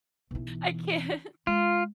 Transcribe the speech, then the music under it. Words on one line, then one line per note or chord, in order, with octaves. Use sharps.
I can't.
B1 E3
G#3 F4